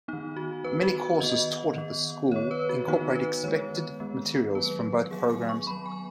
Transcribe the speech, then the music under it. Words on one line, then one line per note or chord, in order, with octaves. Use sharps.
Many courses taught at the school incorporate expected materials from both programs.
D#3 B3 D#4
F#4
D#3 B3 B4
F#4
F#4
D#3 B3 D#5
D#3 B3
D#3 B3 C#5
B4
F#4
D#3 B3 D#4
B4
D#3 G#3 B3 C#5
D#3 G#3 B3
D#3 F#3 B3 B4
D#3 F#3 B3 G#4
G#5
C#6
F#3 B3 B5
G#5